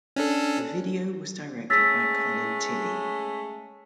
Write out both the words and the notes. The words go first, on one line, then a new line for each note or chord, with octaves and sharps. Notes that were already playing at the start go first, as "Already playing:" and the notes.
The video was directed by Colin Tilley.
C#4 D4 A4
G#3 A3 C#4 E6 A6 B6